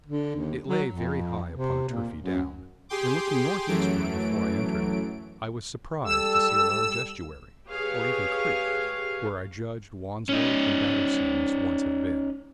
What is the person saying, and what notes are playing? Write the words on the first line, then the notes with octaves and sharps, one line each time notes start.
It lay very high upon a turfy down, and looking north-eastward before I entered it, I was surprised to see a large estuary, or even creek, where I judged Wandsworth and Battersea must once have been.
D3
D#2
F#3
F2
C3
A#2
F#2
G4 G#4 G5 C6 D6
F#2 E3 F#3 A3 D7
G3 A4 E6
G4 G#4 B4 C#5 F5
C#4 D#4